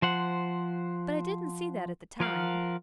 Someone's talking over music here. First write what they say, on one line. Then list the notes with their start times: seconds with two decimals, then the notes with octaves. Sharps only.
But I didn't see that at the time.
0.02 F3 C5 F#5
2.20 F3 A#4 F5 F#5